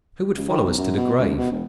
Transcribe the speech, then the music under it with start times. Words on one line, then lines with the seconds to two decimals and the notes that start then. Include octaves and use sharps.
Who would follow us to the grave?
0.37 C#2
0.49 D#3
0.65 B1
0.77 F#2
0.97 B2
1.18 C#2
1.38 B2
1.51 E1